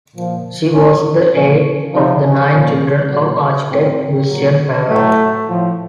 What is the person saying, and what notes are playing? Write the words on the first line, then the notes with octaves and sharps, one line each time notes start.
She was the eighth of the nine children of architect Lucien Parent.
A#2 F3
A2 F#3 C#4
A#2 F3 C#4
C3 F3 D#4
C#4
A#2 F3
A#2 F#3
A2 F#3 C4
A#2 F#3
A2 F#3 A3
A2 F3